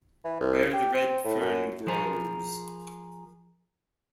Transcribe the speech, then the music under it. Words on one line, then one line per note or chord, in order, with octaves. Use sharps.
Where the Red Fern Grows...
E3
C2
G4
C4
A2
F#2
F3 G#4 A#4